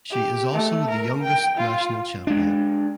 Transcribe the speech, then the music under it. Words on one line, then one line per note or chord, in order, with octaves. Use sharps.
She is also the youngest national champion.
G4
A3
A#4
G5
F4
G#3 D4